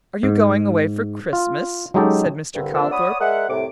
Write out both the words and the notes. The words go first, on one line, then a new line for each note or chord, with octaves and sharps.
"Are you going away for Christmas?" said Mr. Calthorp.
G#2
F4
F#3 G#3 C#4 D#4 G4 A4
C2 G2 D3
C3 F3 A3 A#3 D4 E6
C#5 D5 F#5 B5 D#6
G#3 A#4 D5 E5 F#5
C2 A2 C3 A3 D6